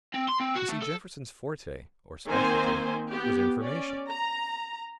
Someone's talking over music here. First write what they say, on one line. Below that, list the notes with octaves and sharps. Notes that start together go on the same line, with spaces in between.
You see, Jefferson's forte, or specialty, was information.
C4
C6
C4
F#4
A3
A4
D#3 A#3 C4 C5 G#5
B3 G4
C#4 D5
A#5